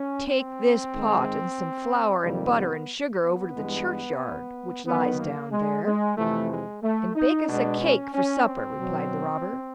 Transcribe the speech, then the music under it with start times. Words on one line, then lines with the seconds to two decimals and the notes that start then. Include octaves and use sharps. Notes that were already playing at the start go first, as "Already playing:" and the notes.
'Take this pot and some flour and butter and sugar over to the churchyard which lies down there, and bake us a cake for supper,' replied the robber.
Already playing: C#4
0.28 C4
0.93 G#2 D#3 G#3
2.24 F2 C3 D#3 G3 A#3
2.57 B3
3.22 B3
3.55 G2 E3 G#3
4.86 F#2 D#3 F#3 B3
5.19 A#3
5.52 G#3
5.84 G#3
6.17 F2 C3 E3 A3
6.50 G#3
6.83 A3
7.15 D#4
7.48 B2 G#3 D4
7.82 C#4
8.14 C#4
8.46 C4
8.79 B2 F#3